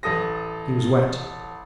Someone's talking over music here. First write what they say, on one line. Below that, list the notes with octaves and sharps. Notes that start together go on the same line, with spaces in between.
He was wet.
A1 A4 D#6 A#6